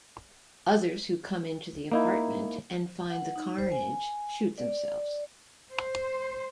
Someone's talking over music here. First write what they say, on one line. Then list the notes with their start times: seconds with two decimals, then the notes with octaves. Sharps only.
Others who come into the apartment and find the carnage shoot themselves.
1.92 A#3 D#4 E4
3.10 F#5
3.36 D#4
3.58 C5
3.72 G#5
4.58 D5
5.73 C5